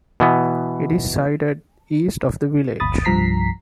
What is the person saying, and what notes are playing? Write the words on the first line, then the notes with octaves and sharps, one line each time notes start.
It is sited east of the village.
B2 E3 B3
G1 D2 B5 D#6 A6
C2 G2 F3 A#5 B6 C7